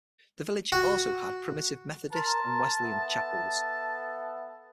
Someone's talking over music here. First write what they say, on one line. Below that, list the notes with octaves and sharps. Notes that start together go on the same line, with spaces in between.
The village also had Primitive Methodist and Wesleyan chapels.
F#4
A#4 A5 A#5 C6
B3 A4 E5